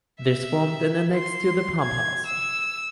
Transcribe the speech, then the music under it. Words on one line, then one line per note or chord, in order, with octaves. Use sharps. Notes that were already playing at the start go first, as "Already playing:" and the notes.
This formed an annexe to the pump house.
E5
C6
G#6
E6